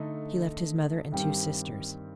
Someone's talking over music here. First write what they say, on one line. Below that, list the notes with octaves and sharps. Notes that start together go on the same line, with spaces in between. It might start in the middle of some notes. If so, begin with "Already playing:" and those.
He left his mother and two sisters.
Already playing: D3 A3 D#4
G2 D#3 G3 C4 G4